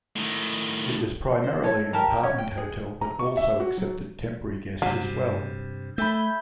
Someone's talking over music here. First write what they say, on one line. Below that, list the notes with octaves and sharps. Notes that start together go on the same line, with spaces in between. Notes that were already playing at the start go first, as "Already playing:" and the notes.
It was primarily an apartment hotel, but also accepted temporary guest as well.
A2 D#3
C5
E4 A4 C#5
G4 A#4 A5 A#5
C#4 C#5
G5
G#4
A#5
C#6
E5
F#4
F#3
G2 C3 F#3
A3 E5 G#5 B5 G6